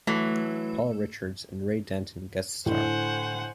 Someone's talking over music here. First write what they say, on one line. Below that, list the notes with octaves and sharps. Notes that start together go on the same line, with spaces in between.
Paul Richards and Ray Danton guest star.
E3 F#3 A3
A2 D3 C5 F#5 G#5